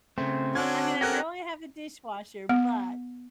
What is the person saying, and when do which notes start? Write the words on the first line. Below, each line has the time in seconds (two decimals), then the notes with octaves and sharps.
mean, I know I have a dishwasher, but
0.18 C#3 A3 C4
0.55 D3 C#4 D4 F#4 A4 G#6
1.01 C#4 G4 A4 A#4 F#5 F#6 G#6 A#6
2.49 B3